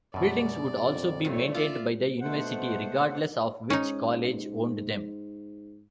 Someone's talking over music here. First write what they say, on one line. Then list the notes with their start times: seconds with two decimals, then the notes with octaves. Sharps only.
Buildings would also be maintained by the university regardless of which college owned them.
0.14 F#2 B2 D5
0.79 F2
1.25 G2 A3 C#5
1.55 F4 D5 E5
2.21 B2 A3 C5 F#5
3.70 G#2 C#4 D#4